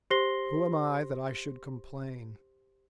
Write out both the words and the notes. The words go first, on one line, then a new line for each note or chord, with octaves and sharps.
Who am I that I should complain?
G4 C5 C6 A#6 C7 G7